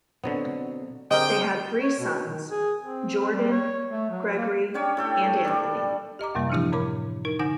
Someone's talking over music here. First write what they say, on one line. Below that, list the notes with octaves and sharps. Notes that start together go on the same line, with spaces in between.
They had three sons, Jordan, Gregory and Anthony.
B2 D3 F#3 B3 C4
D3 C4 G4 G#4 A#4 D#5 G5
C#5
B2
D#3
G#4
C4
G3
C#5
A3
F#3
A#3
C#4 D4 G4 C#5
A2 A4 G5
G3 D4
G4 D#5 A#5 D6
F#2 C3 G3 A#3
E3 F3 D4 E4 G4
A2 A#4 C#5 B5 D6
D#4 A#4
D3 D#4 F#5 G#5 G6 A#6